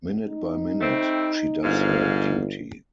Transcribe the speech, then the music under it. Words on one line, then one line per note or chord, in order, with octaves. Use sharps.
Minute by minute she does her duty.
D#4
G3 A3 C4
G1 G#2 F5